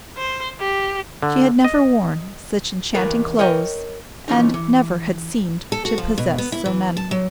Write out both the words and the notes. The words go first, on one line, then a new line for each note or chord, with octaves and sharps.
She had never worn such enchanting clothes and never had seemed to possess so many.
C5
G4
D3
D#5
D#2 E3 A#4 B4 A5
A#4 C#5 D#5 G5
E3 F3 C#4 D#4
E3
A4
F#4
F3
B2
B3
E4
E3
A5
F#3